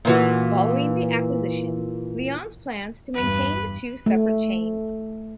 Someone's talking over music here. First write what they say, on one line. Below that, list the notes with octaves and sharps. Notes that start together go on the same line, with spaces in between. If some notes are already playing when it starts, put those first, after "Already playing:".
Following the acquisition, Leon's plans to maintain the two separate chains.
A#2 E3 F#4
E2 G2 B4
A3